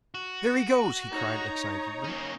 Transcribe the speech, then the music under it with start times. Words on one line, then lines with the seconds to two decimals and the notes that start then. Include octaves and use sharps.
"There he goes!" he cried excitedly.
0.14 F#4
1.12 D#4 C#5 A#5
2.04 A#3 C#4